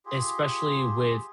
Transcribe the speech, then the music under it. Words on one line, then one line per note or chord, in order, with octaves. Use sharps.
especially with
F4 G4 G#4